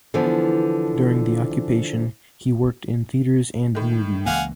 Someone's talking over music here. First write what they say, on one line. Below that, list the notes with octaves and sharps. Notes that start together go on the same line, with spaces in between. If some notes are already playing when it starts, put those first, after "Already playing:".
During the occupation, he worked in theaters and movies.
D3 E3 F3 B3 E4
A2 D#3
C#2 E3 A#3 F5 F#5 G#5